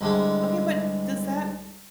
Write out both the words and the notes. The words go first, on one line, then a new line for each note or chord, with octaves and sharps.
Okay, but does that
C2 D3 G#3